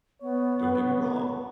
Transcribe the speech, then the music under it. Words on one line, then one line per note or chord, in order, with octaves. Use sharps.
don't get me wrong,
B3 C#5